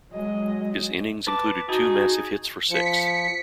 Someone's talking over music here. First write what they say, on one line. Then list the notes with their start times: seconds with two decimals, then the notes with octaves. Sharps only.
His innings included two massive hits for six.
0.14 F#3 G#3 D#5
1.27 B4 A5 D6
1.69 D#4 F#4 G#4 A5
2.70 F3 B6 C#7